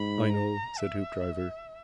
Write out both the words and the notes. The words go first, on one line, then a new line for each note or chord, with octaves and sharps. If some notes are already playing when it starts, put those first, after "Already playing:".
"I know," said Hoopdriver.
Already playing: G#2 B5
A#5
E5